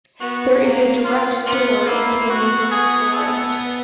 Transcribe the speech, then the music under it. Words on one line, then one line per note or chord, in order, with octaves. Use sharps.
There is a direct door into a neighbouring florist.
B3 F#4
A#3
F4
B3 F4
A#3 E4
B3 F#4
G#4
A4